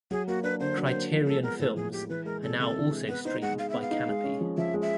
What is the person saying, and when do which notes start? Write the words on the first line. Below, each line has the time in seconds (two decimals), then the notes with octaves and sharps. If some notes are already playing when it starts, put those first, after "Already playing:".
Criterion films are now also streamed by Kanopy.
0.11 F#3 G#4
0.28 A#3 F#4
0.44 D4 B4
0.60 D3 C5
0.77 F#3
0.86 C5
0.93 A#3
1.11 F3
1.26 G#3 A4
1.43 B3 A#4
1.59 A2 A4
1.76 F3 G#4
1.92 G#3 G4
2.09 E3 B4
2.25 G#3 A#4
2.42 C3 A4
2.59 C3 A4
2.76 E3
2.92 G#3
3.08 B3 B4
3.25 D#4 C5
3.42 G#3 F#5
3.59 G#3 F5
3.69 B3 E5
3.82 F5
3.91 D#4
4.08 G#3
4.24 C#4
4.41 F3
4.57 F3 E5
4.74 G#3
4.82 E5